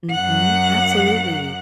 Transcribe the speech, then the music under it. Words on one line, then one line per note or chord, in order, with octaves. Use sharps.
Mhm. Absolutely,
F#2 F#5